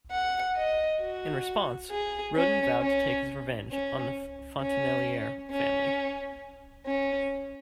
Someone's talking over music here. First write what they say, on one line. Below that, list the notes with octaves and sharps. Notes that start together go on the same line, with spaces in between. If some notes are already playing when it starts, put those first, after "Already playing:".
In response, Roden vowed to take his revenge on the Fontenellier family.
F#5
D#5
F#4
G#4
C#4
C#4
C#4
C#4
C#4
C#4